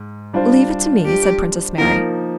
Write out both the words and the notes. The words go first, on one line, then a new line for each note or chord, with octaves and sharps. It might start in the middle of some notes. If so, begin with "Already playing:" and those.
"Leave it to me," said Princess Mary.
Already playing: G#2
G3 D4 F4 C5
G4
F3 A#3 D#4 A#4